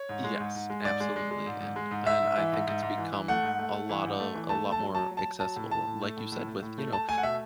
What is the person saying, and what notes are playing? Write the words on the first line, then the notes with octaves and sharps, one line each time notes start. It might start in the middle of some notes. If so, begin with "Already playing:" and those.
Yes, absolutely, and and I think it's become a lotta a lot more accessible, like you said, with, you know,
Already playing: C#5
G#2
G#3
G#2
G#2
G#3
G#2 D5
G#3
G#3
G#3
G#2
G#2
G#3
G#2
G#2 E5
G#2
E3
G#2
G#2
G#2
E3
E3
A3 F#5
G#2
A3
A3
E3
G#2
A3
E3
A3 A5
A3
A5
F#3
F#3 A5
F#3
A5
F#3
F#3 A5
A2
A2 A5
A2
A3
A2
A2
A3
A2
A3
A3 A5
A3 G#5
F#5
B2 E5